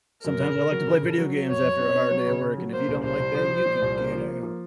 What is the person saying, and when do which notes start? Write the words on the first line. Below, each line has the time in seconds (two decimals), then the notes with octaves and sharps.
"sometimes I like to play video games after a hard day at work, and if you don't like that, you can get out."
0.25 F#2 A#4
0.40 C#3
0.56 C#3
0.71 F#3
0.87 C#3
1.03 C#3
1.18 F#3
1.34 F#3
1.49 F#2 C#5
1.64 F#2
1.80 C4
1.95 C4
2.11 F#3
2.27 C#3
2.41 C#3
2.57 F#3
2.73 A#3 C5
2.88 C2
3.03 C2 C5
3.20 C2
3.35 F3
3.50 F3
3.66 A#2
3.82 C2
3.97 A#3
4.12 F3
4.28 A#3
4.43 F3